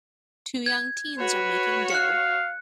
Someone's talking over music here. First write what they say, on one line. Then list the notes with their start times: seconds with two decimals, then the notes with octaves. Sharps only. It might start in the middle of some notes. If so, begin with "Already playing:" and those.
Two young teens are making dough.
0.66 G#6
1.19 F#4 B4 C#5
1.90 F5 F#6 C#7